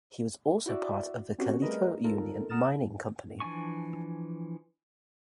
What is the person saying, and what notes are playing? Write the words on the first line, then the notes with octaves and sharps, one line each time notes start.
He was also part of the Calico Union Mining Company.
E4 F#4 D5 E5
C4 C#4 F#4 G4
G3 A3 G#4 A#4 B4 D#5
D#4 F4 A4 A#4
F#5 A#5 D#6 F6 A6 E7
E3 F3 D4 G#5 C#6